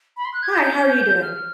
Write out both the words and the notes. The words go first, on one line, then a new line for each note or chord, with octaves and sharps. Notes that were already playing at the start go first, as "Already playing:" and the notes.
Hi. How are you doing?
B5
C6
F#6
G#6
G6
F6